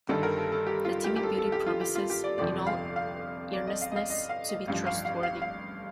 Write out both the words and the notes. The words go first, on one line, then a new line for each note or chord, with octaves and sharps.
The timid beauty promises in all earnestness to be trustworthy.
G1 G2 D#3 G3 A4
A#4
A4
A4
G4
F4
G4
G4
A4
A4
G4
F4
G4
F4
G4
D5
G1 F2 C3 F3 D5
F5
F5
D5
D#5
F5
D#5
F5
D#5
F5
D#5
A1 G2 F3 F5
F5
F5
F5
F5